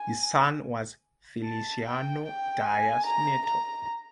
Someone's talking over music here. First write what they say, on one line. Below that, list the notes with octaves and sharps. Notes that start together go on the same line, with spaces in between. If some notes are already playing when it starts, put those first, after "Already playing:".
His son was Feliciano Dias Neto.
Already playing: G#5
A5
G5
G5
G#5
A#5
A#5